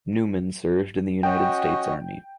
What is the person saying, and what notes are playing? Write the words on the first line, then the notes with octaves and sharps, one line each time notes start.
Newman served in the United States Army.
C#4 F#4 D#5 G5